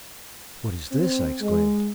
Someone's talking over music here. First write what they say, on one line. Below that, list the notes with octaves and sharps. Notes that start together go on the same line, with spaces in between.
"What is this?" I exclaimed.
C4
G#3